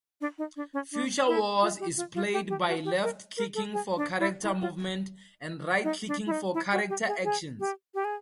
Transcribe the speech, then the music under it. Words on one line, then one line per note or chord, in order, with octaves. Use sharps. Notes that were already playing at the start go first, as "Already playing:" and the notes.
"Future Wars" is played by left-clicking for character movement, and right-clicking for character actions.
D4
D#4
D4
C#4
D4
E4
F4
G4
F4
F4
G4
G4
F#4
G4
A#4
A#4
A4
G#4
D4
E4
E4
F4
D#4
D4
E4
D#4
E4
F#4
G4
G#4
G#4
G4
G4
G#4